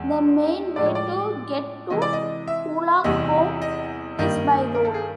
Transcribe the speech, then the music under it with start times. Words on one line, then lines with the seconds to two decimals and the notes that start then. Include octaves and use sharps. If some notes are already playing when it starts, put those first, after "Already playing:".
The main way to get to Woolacombe is by road.
Already playing: E2 G#3
0.76 A2 F3 G#3 D5
0.86 C#5
0.95 D5
1.90 C3 E3 G#3 D#5
2.02 D5
2.13 D#5
2.47 E5
3.04 E2 C3 E3 G3 D#5
3.62 D#5
4.18 G2 D#3 G3 A#3 D#5
4.75 A#4
4.85 A4
4.94 G#4